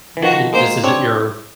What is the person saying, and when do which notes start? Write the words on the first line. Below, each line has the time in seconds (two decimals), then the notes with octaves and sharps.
Th this isn't your,
0.17 E3
0.22 D#3 F3 F#4
0.53 G#3 A#3 C5
0.83 C4 D4 C#5